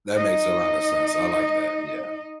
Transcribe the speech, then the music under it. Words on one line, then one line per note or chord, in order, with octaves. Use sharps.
That makes a lot of sense, I like that, yeah.
D#4 D#5